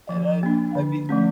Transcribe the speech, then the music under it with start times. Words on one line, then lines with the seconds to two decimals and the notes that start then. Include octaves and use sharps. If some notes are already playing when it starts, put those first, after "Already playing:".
And I I mean
0.09 F3
0.43 A#3 D4
0.75 D3
1.09 F3 A3 C#4